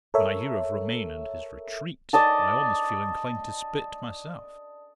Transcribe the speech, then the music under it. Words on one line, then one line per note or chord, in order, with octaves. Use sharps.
When I hear of Romayne and his Retreat, I almost feel inclined to spit, myself.
A4 A#4 C#5 E5
D5 D#5 A5